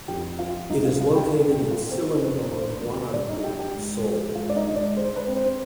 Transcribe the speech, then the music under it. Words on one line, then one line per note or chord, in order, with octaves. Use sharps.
It is located in Sillim-dong, Gwanak-gu, Seoul.
F2 G4 G5
F3 F4 F5
C2 D#4 D#5
F4 F5
C2 F4 F5
G4 G5
D4
G4 G5
G3
F4 F5
B3 C5
C5
F2 B4
D4 C5
D#2
G3 D4 D5
D#4 D#5
D4 G4 G5
G4 G5
G#2
F3
G#2 F4 F5
D5
D#4 D#5
G#2
D4 D5
G#3 C5
B4
C4
C5